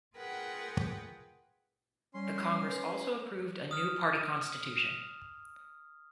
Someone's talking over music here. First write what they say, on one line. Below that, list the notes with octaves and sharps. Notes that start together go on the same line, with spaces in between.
The congress also approved a new party constitution.
F4 G#4 A#4 B4 F#5 G5
G3 C#4 C6
B4
D#6 F6